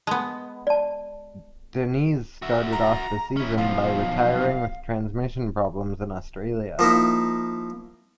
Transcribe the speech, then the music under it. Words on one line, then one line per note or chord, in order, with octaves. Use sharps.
Diniz started off the season by retiring with transmission problems in Australia.
G#3 B3 A5
D5 A5
F#4 E5
A#5
C#4 E4
B1 F3 F5
F3 A#3 D#4 E4